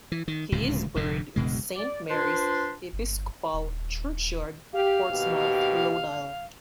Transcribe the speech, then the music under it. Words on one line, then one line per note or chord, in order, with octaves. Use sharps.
He is buried in Saint Mary's Episcopal Churchyard, Portsmouth, Rhode Island.
E3
D#3
D1 C#2 A2 C3
F1 F2 G#2 D3
F#1 D2 B2 G#3
D5
D4 F4 B4 C5 A5 C6
G1
D#1
G4 F5
D#2 B2 G4